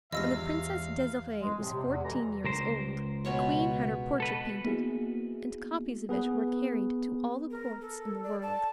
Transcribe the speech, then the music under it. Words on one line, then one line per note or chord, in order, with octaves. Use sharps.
When the Princess Desiree was fourteen years old, the Queen had her portrait painted, and copies of it were carried to all the Courts in the world.
E2 G#2 G3 F4 D#5 F5 E6 A#6
G#3
F2 A2 C3 F3
C3
E2
B2 D3 E3 A#5
C#2 A#4 C5
B2 C#5 C#6
A4 B4
A#3 B3 D#4 E4 F#4 G#4
B3 G#4 B4
A#4
A4
D5
A5